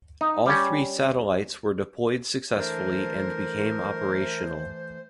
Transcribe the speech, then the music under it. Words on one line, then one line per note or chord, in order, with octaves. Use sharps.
All three satellites were deployed successfully and became operational.
D#4
G3 C#4
E3 A3 D4 A#4 C5